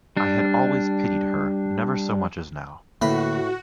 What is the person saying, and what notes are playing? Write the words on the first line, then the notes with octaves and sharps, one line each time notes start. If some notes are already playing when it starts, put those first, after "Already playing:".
I had always pitied her, never so much as now.
G3 D4
A2 D3 A#3 F#4 B4 B5